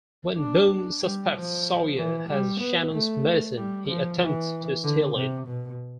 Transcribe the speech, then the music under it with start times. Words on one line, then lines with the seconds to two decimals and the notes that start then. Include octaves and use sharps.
When Boone suspects Sawyer has Shannon's medicine, he attempts to steal it.
0.37 D4
1.01 G3
1.34 F3
1.97 E3
2.29 G3
2.60 B3
2.93 A3
3.56 G3
3.88 F3
4.20 E3
4.83 D3
5.15 C3
5.47 B2